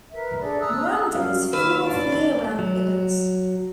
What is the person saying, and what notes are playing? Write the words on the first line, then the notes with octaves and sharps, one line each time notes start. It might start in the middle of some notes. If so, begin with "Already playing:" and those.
Brandon is full of year-round events.
A#4 B4 E5
D4 G#4 A4 D5
A#5 D#6 E6 F#6
F#2 F#4 F5
D#2 B4 E6 F6
D4 D5
F#3